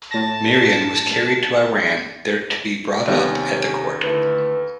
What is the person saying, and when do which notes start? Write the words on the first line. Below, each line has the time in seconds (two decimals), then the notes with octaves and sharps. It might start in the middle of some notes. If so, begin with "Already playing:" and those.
Mirian was carried to Iran, there to be brought up at the court.
0.11 A2 A5 A#6
3.08 D#2 C3 G3 B3 C#4
4.04 D3 A3 E4 B4